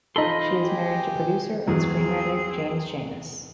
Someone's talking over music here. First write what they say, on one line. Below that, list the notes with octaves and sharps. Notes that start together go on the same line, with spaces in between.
She is married to producer and screenwriter James Schamus.
E3 F3 D#4 A4 D#5 B5 C6
G4 G#4
E2 F#3 C4 G#4